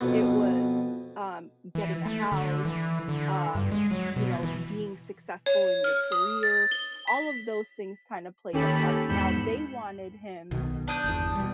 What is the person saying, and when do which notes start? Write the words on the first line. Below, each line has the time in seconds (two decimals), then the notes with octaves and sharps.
it was, um, getting a house, um, you know, being successful in your career, all of those things kind of played a part. Now, they wanted him
0.01 F2 B2 B3
1.75 E3
2.06 A3
2.32 D3
2.65 E3
3.08 D3
3.55 G2
3.72 G#3
3.91 F#3
4.16 B2
4.43 E3
5.46 C#5
5.84 F6
6.12 D#6
6.43 A6
6.72 G7
7.07 B6
8.53 D#2 C#4 G4 A4 B5
9.08 E2 G#2 B5 G6 C#7 E7
10.51 B1 B2 D#3
10.88 D4 D#6 G6
11.04 G1 E2
11.35 B2 G3